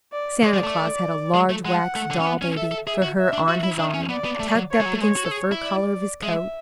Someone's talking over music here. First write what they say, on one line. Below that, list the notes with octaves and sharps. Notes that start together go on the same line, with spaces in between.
Santa Claus had a large wax doll-baby for her on his arm, tucked up against the fur collar of his coat.
D5
G#3 D5
G#3
A3
G#3
A3
G#3 F#5
A3
D3
C#4
B3
C#4
A4 E5
A4
G#4 E5
F#4
E5
D4
F#4
E4
D4 E5
C#4
B3 D5
B3
A3
F#3
C#5
G#3
F#3
A3
G#3 C#5
F#4
A4
G#4
E4
D5
G#3 E5